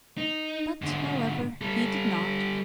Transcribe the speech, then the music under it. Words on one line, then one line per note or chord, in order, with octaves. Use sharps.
But, however, he did not.
D#4
G#2 D3
G3 A4